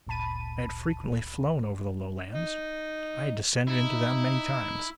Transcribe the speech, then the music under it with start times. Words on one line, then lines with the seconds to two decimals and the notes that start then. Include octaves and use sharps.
I had frequently flown over the Lowlands; I had descended into them many times.
0.07 G1 D2 A#2 A5 B5 D#7
2.35 D#4
3.68 D#4 E4